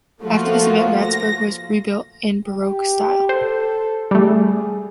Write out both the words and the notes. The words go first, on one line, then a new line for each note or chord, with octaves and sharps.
After this event Ratzeburg was rebuilt in baroque style.
F3 A3 A#3 F4 F#4
A#6
G4
A4 C5
G3 A3 G#4